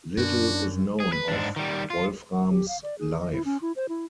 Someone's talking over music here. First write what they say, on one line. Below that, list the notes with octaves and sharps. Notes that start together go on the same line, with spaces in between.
Little is known of Wolfram's life.
F#2 D4 F#4
G#4
B4
G#2 D4
D#3 G3
F4
F#5
G4
F5
D5
G#4
D#5
E4
C#4
E4
C5
E4